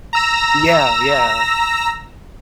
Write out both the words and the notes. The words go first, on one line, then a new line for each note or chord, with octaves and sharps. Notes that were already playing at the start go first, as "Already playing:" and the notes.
Yeah yeah.
A#5 E6 A#6